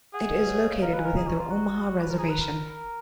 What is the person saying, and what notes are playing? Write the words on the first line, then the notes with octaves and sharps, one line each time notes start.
It is located within the Omaha Reservation.
G#4 F#5
D#5
B4
C#5
D#5
F5
A#4 F5
B4 D#5
G#5
A#4 A#5
G#4 A#5
C#4 A#5
F4
F#4
B4
A#4
G#4 A#5
B4 B5
A#5
A#4 B5
A#5